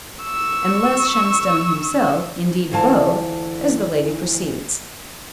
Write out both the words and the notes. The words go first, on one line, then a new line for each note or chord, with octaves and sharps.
And less Shenstone himself--indeed both--as the lady proceeds.
C#6 E6
D2 E3 F4 A5